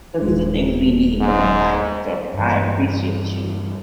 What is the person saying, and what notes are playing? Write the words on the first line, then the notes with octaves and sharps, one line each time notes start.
'cause these are things we need in our life, so I appreciate you.
D#1 G#3
G#2
G2 E3